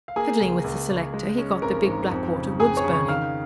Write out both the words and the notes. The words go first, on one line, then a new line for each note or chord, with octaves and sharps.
Fiddling with the selector, he got the Big Blackwater woods-burning.
F5
A#3 G#4 G#5
C#2
C#2
C#2
G#3
C#4
G#1 A#4 A#5
G#2
F2
C#3
F2 G#4 G#5
C#5 C#6
C#3
C#5 C#6
D#3 F5 F6